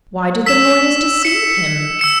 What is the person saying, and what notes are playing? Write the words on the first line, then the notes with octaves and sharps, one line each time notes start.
"Why did the lawyers deceive him?"
E6 B6 E7
E6 C#7 E7
E6 C#7 E7